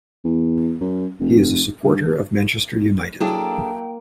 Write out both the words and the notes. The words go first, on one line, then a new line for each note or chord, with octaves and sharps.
He is a supporter of Manchester United.
E2
F#2
F1
G2
F#3 A#3 D4 E4 G#4 A4 G5